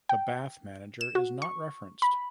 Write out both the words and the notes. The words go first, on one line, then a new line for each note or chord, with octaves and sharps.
The Bath manager is not referenced.
G5
E7
F#4
C#6
B5